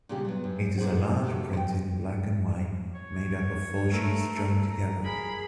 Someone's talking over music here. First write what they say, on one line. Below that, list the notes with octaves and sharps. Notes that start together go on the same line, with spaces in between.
It is a large print in black and white, made up of four sheets joined together.
A#2 C#3 G3 D4 G4
F#3 B3
F#2
F#2 A#2 D#4 G#4 C5 F#5
D#3 A3 F#4 G4
C5 G5
C#5
A3 A#4
A#5
G#4 A#4 B5